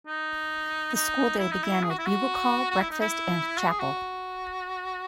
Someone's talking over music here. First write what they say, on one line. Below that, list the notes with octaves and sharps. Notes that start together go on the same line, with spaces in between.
The school day began with bugle call, breakfast, and chapel.
D#4
D#4
E4
D#4
E4
G#4
F#4
E4
F#4
F#4
E4
D#4
E4
F#4
G#4
F#4